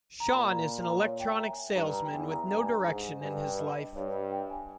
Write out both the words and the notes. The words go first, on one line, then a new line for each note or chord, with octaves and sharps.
Shaun is an electronics salesman with no direction in his life.
A#5
A#2 B5
A#5
A#5
C#5
G5
E5
A#5
G#5
G2 A#5
A#5
G5
E2 G#5
A#5
G2 A#5
G#5
A#5
G#2
G2 G#5
G5
D#5
D#5
G2 C#5
D#5
G5
G#5